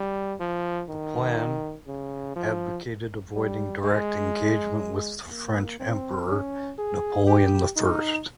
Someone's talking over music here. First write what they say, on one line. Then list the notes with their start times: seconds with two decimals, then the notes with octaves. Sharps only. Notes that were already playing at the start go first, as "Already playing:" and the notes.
The plan advocated avoiding direct engagement with the French emperor, Napoleon the First.
Already playing: G3
0.40 F3
0.89 D#3
1.87 C#3
2.36 F3
3.34 G3
3.84 G#3
5.31 A#3
5.80 C4
6.29 C#4
6.79 G#4
7.27 G4
7.77 D#4